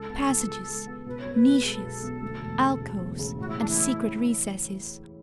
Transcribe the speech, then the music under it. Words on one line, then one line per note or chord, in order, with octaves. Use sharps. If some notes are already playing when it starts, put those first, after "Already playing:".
Passages, niches, alcoves, and secret recesses.
Already playing: C#2 A4
B3
C#2
G#3
G#3
B3
B2 B4
C#5
B1
B4
B2
G#3 A4
B1
B1
D2
E1
C#3
C#3
E1
C#3
A2 F#4
E4
E3 D4
E4